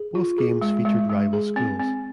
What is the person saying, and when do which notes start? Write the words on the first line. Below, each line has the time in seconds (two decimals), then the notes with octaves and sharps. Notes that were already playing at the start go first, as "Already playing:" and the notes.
Both games featured rival schools.
Already playing: G#4
0.15 F4
0.38 G#4
0.61 G#3
0.85 G#3
1.09 G#3
1.33 G#4
1.56 C4
1.80 C4